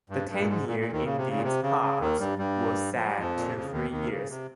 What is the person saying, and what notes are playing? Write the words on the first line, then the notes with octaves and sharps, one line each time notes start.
The tenure in these parts was set to three years.
G2
G2
A#2
G#2
A#2
A#2
D#2 D#3
C#3
C3
C#3
A#2
C3
C#3
C#3
D#2 D#3
G2 G3
G2 G3
F3
G3
F2 F3
A#2
C3
C#3
D#2 D#3
D#2 D#3
C3
C#3
C3